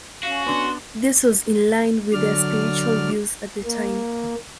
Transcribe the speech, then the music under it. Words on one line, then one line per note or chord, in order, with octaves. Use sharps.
This was in line with their spiritual views at the time.
C#4 F#4 F5
B3 D4 C6
D3 F#3 D5 F6
A#3